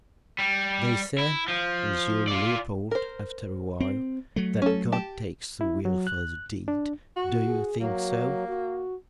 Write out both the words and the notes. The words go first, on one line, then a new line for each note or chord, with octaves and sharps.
"They say," resumed Leopold, after a while, "that God takes the will for the deed:--do you think so?"
G3
E4
F3
F4 D5
A#4 C5
C4
F#3 A3
C#4 A4
G4 A5
E4
F#3
F#6
D4
F#4
G#4
F#3 A#3
F#4